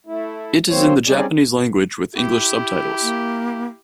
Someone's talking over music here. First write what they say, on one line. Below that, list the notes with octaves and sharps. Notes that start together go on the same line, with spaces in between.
It is in the Japanese language with English subtitles.
A3 E4
F#3 A#3 C4 C5 C#5
G3 C4 C#4 D#4 G#4 D5
E4 G4
A#3